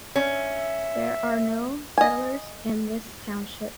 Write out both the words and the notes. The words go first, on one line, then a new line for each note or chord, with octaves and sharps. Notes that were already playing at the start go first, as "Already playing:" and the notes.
There are no settlers in this Township.
C#4 E5
D#5 G#5